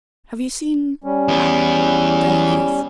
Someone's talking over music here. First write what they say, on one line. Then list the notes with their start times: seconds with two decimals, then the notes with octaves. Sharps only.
Have you seen--ah! there he is.
1.04 G3 C#4
1.28 E2 B3